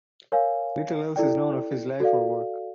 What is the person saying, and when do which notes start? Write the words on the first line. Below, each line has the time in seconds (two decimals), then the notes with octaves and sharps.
Little else is known of his life or work.
0.32 A#4 C#5 F5 G#5
1.16 E4 A4 D5 G5
2.00 F#4 A4 D5 F5